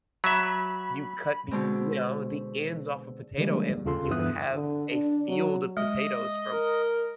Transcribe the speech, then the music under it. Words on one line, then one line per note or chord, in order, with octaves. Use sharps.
You cut the you know, the ends off a potato, and you'll have a field of potatoes from
F#3 E5 B5
B2 D3 G#3 C4
D3 D#3 F3 G3 G#3 A#3
D#2 C#3 F4 A4 C6
G2 E3 B3 E5 D#6 F#6
D3
D4
F#3
G#3 D#5
A#4